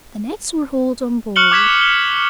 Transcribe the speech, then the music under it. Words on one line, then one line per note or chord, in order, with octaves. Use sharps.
The nets were hauled on board.
C#6 F6 F#6 C#7 F#7 G7
D6 G#6 B6 E7
G7